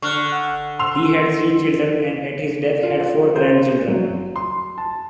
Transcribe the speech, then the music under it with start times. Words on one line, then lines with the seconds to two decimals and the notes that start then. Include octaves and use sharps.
He had three children and, at his death, had four grandchildren.
0.02 D3 C#6 F6 F#6
0.32 F#5
0.79 C6 E6 F7
2.83 F4
3.36 C5
3.88 F#3
4.36 C6
4.78 A5